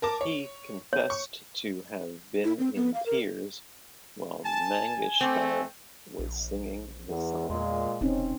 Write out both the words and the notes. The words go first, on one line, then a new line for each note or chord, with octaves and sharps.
He confessed to have been in tears while Mangeshkar was singing the song.
A#4 A5 D6
C#5
C#5
C#6
E4
C4
B3
F5
A#4
G#5 A5
A3 C4
A#1
E2
E2 A#2 G#3
E1 C4 C#4 D#4